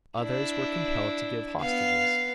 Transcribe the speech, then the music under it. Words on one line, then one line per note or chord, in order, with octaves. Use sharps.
Others were compelled to give hostages.
D4 E4
B3 F5